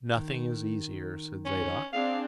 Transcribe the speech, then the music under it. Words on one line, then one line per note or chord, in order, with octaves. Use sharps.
"Nothing is easier," said Zadok.
D#3
C#4
C4 D4 G#4 F5